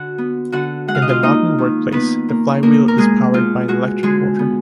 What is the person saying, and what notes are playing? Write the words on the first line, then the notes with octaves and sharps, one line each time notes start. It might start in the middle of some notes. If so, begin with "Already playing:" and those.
In the modern workplace, the flywheel is powered by an electric motor.
Already playing: D3 F#4 F#5
B3
D3 F#4 F#5
G#3 F#5
F5
D#5
F4 F5
A#3 D#4 D#5
D#3
D#3 B3 B4
A#3
B2 A#3 A#4
A#4
G#3 B3 G#4
B2 F4
G#3 F#4
D3 G#3 G#4
B3